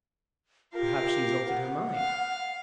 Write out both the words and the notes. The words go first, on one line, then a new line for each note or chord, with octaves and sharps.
"Perhaps she has altered her mind."
F4 G4 A#4 F5
F#5
F5